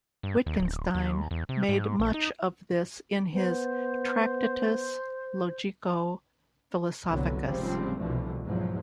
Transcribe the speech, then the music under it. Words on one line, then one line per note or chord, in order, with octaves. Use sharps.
Wittgenstein made much of this in his Tractatus Logico-Philosophicus.
G2
D#2
D1
D#2
E2
C3
G#2
A#1
D#4
B3 C5
F1 C2 G2 D3 F#3 B3
F1 G#2 C#3 F3 G3 C4
C2 B2 D3 E3 F3 A3
E2 G#2 F3 F#3